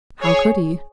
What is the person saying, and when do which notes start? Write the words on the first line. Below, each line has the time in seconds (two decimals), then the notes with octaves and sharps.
How could he?
0.22 G#4 C#5